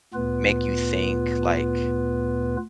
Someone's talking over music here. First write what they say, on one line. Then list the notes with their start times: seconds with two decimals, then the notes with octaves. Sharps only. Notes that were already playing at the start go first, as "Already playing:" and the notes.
make you think, like,
0.14 D2 A#2 B3 F4 B4